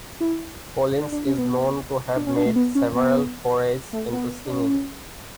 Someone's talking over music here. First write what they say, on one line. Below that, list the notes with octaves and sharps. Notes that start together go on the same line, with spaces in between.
Collins is known to have made several forays into singing.
E4
D4
D4
C#4
B3
D4
C#4
D4
A3
B3
C#4
B3
A3
B3
D4
C#4